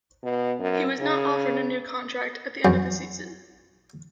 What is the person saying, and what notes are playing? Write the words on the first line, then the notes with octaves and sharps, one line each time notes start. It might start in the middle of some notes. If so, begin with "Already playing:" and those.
He was not offered a new contract at the end of the season.
B2
F#2
C#3
F#2